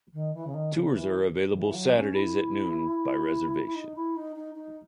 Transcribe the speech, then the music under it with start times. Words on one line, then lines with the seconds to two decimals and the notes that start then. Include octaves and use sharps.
Tours are available Saturdays at noon by reservation.
0.13 D#3
0.34 E3
0.47 C#3
0.54 D#3
0.74 C#3
0.94 E3
1.55 E3
1.74 F#3
1.95 C#4
2.14 E4
3.66 E4
3.75 D#4
3.96 E4
4.16 D#4
4.36 D#4
4.55 D#4